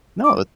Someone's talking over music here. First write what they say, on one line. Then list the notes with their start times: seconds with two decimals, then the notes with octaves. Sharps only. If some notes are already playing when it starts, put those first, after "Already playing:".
No that
0.24 D6